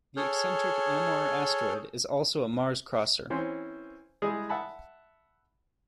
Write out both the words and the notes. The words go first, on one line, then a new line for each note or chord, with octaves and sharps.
The eccentric Amor asteroid is also a Mars-crosser.
G#4 A4 C#5 F6 G6
E3 C4 C#4 C5
G3 G#3 E4 G#4
E5 F#5 A5 B5